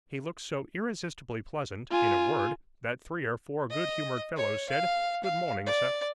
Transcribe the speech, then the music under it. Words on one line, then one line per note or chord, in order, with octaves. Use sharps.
He looked so irresistibly pleasant, in a word, that three or four good-humoured fellows said, 'Good-morning, sir!
F4 G#5
D#5
C#5
F5
F5
D5